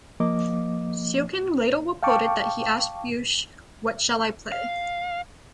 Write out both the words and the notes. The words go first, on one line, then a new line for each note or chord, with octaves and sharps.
Serkin later reported that he asked Busch, What shall I play?
F3 A#3 D#5 D6
F5 G5 A5 C#6 D6
F5